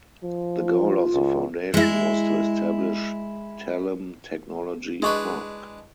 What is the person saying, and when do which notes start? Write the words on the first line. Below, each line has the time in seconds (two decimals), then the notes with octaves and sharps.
The goal of the foundation was to establish Tallinn Technology Park.
0.23 F3
0.67 F4
1.14 C#2
1.74 G#3 E4
5.02 G#3 D4 E4 B4 D#5 C#6